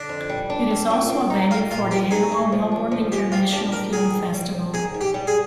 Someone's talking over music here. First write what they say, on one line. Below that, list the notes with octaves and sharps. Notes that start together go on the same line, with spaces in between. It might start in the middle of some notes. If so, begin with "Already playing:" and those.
It is also a venue for the annual Melbourne International Film Festival.
Already playing: D3 D4
F2
G3
D4
G3
A#2
C4
D#4
G3 F4
A#2 F4
C4 G4
D#4 G#4
G#3
F3
D4
F3
G#3 G4
F3 F4
D4 G4
F3 A#4
D#3 G#4
G#2
G3
C4
D#3 G#4
G#2
G4
G3
G#4